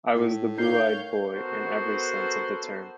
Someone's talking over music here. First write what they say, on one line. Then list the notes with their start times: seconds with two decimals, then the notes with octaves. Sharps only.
I was the blue-eyed boy in every sense of the term.
0.15 A2
0.58 D#4 A#4 C#5 F5 G6 C7
1.33 B3 F#4 A4 A#4 C5